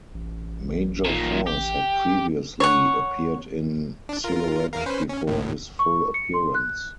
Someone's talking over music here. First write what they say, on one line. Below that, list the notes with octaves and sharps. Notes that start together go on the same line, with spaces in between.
Major Force had previously appeared in silhouette before his full appearance.
A1
A#2 D#3
G4
C#5 F#5
D4
F4 A#4
E2 A#4 F5
C#4 B4 C5
C#4
G#1 C#2 A2
C#6
C#7
C6
F#6